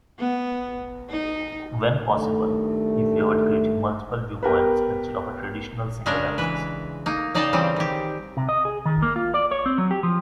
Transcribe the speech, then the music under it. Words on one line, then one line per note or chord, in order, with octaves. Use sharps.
When possible, he favored creating multiple viewpoints, instead of a traditional single axis.
B3
D#4
G2 D#3 G3 A3
B3 G4 A#4 B4
C#3 G#3 C#4 D4 A#4
E3 B4
A#3 D#4
C#3 D#4 D5 F5 G5 A5
C#3 E3 G3 C4
D#3 G4
C3
D#5
G#4
D#3
A#3
F4
D5
C#5
C4
F#3
G4
F3